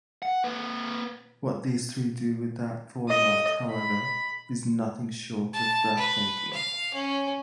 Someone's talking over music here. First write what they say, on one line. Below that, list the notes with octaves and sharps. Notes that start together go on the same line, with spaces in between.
What these three do with that format, however, is nothing short of breathtaking.
F#5
A#3 B4
D#5
B5
A5
B4
F5
C#4